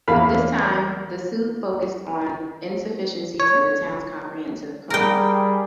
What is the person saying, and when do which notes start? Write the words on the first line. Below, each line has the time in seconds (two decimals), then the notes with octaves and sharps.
This time, the suit focused on insufficiencies in the town's comprehensive plan.
0.08 E2 A#3 F5 B5
3.40 C#5
4.90 G3 G#4 A#4 G5